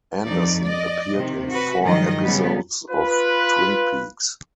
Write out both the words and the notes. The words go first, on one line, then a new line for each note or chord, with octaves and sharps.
Anderson appeared in four episodes of "Twin Peaks".
F2 D#4 D5
D5 D#5
C3 D#3
F#4 B4
G2 D#3 F3 F#3 G#3 D#5
C#3 G3 B3
F4 B4